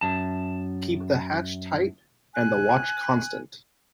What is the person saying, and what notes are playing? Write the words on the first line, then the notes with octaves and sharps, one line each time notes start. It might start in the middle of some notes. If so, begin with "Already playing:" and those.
Keep the hatch tight and the watch constant.
F#2 A5
G#5 F#6